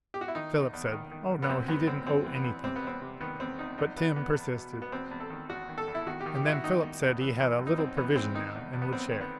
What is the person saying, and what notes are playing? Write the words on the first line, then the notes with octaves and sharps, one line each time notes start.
Philip said, Oh, no, he didn't owe anything; but Tim persisted, and then Philip said he had a little provision now, and would share.
G4
F#4
E4
D#3 D#4
E2
E2
D#3
D#3
E2
B3
F#2 C4
F#2 B3
F#2 C4
F#2 C4
E3
B3
E3
C3 C4
B3
E2 C4
C3
D#3 B3
E2 C4
E2 D#4
E2 D#4
E2 B3
E2 B3
E2
B2
B2
B3
E2 C4
E2
A4
D#3
E2 F#4
D#3
A4
E2
E4
D#3 F#4
G4
D#3
G4
D#3 E4 F#4
D#3 D#4
D#3
E2
E3
E3
F#2
D#4
F#2 C4
E3 B3
E3 C4
D#3 D#4
E2
E2
B3
E2 C4
D#3
B3